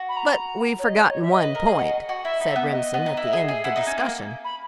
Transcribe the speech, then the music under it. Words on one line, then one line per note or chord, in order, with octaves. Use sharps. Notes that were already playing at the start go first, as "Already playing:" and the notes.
"But we've forgotten one point," said Remsen at the end of the discussion.
Already playing: F#4
B5
A#5
C#5
D#5
C#5
E5
D#5
B4
A#4
G#4
F#4
F#4
E4 E5
D#4
E5
B3
D#5
B3
D#4
E4
G#4
G#4
E4 F#5
D#4
C#4
A#3
B5